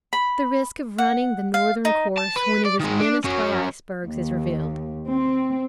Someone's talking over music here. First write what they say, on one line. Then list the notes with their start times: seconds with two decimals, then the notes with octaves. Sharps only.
The risk of running the northern course when it is menaced by icebergs is revealed.
0.13 B5
0.98 F#5
1.54 F5
1.85 D#4
2.17 A5
2.36 B4
2.66 D5
2.80 D#3 G#3
3.00 D4
3.25 F#3 C#4
4.05 D#2
5.09 C4